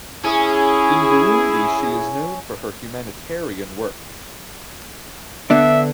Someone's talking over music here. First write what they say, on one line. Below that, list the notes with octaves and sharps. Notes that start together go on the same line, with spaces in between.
In Burundi she is known for her humanitarian work.
C#4 E4 G#4
D3 B3 D4 E5